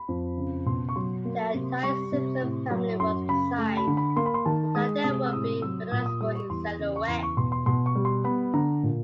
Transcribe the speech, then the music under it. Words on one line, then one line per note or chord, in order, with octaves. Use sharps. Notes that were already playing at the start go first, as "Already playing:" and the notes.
The entire Simpson family was designed so that they would be recognizable in silhouette.
Already playing: B5
F2
C#3
B2 C6
C#6
F#3 C6
A#3
C3
G3 C#6
C3
A2
F#3
F#2 C6
C#3 B5
A3
B5
D3
B5
A#3 C6
B5
C6
D#3 A5
G#3 D#6
C3 D#6
E6
A2 D#6
F#3 E6
A#2 D#6
D#6
G3 D#6
C#6
E2 C6
C#3
C#6
E2 C6
C#6
B2 C6
C6
B2 C6
C#6
G3
C6
B3 B5
D3 A#5
A#2